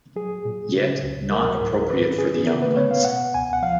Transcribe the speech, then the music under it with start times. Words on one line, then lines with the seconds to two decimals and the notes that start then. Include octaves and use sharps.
Yet, not appropriate for the young ones.
0.16 F#3 G#4
0.45 A#2
0.74 C#3
1.03 C#2
1.31 F#3 A#4
1.61 G#2
1.89 D#3 B4
2.19 C#4 G#4
2.47 C#3 A#4
2.62 B4
2.77 B3 C#5
2.91 F5
3.05 B2 F#5
3.34 C#2 G#5
3.53 F#5
3.63 F3 F5